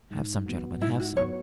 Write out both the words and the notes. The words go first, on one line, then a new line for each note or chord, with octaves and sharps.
"Have some, gentlemen, have some!"
G#2
F#3 B3
G#2 E4
F#4
F#3 B3 C#5